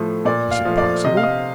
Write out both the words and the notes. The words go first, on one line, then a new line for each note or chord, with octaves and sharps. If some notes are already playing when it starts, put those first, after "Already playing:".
"Is it possible?"
Already playing: A2 F3 A3
A#2 D5
F5
F3 A3
D5
C3 D#5
F5
D#5